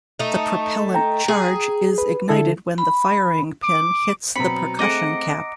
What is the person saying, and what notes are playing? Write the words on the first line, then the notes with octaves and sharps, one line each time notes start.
The propellant charge is ignited when the firing pin hits the percussion cap.
A3 D#4
G5 A#5
G#4
B4
D3 E4 A4
B5
D6
B2 F#3 C4 A#5 B5 C#7
A3 C4 G#4 D#5 F#5 D6 A#6 D7